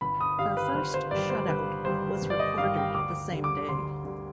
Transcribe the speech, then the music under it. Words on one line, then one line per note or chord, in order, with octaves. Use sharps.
Her first shutout was recorded the same day.
G1 B5
D#6
G2 D#3 G3 F5
B4
G1 C5
C5
G2 D#3 G3 D5
C5
G1 B4
G2 D#3 G3 C5
G1
D5
D#5
G2 D#3 G3 F5
G5
D2 D6
D3 G3
D6
D2 C6
D3 G3